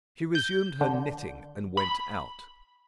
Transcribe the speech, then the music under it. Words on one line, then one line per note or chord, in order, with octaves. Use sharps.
She resumed her knitting and went out.
G6
D3
B5